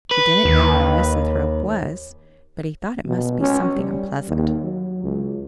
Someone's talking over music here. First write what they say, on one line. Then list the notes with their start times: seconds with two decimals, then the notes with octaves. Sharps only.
He didn't know what a misanthrope was, but he thought it must be something unpleasant.
0.11 B4
0.45 D#2
3.06 B2
3.40 C#4
3.75 G3
4.28 D#2
4.64 F#3
5.04 C#2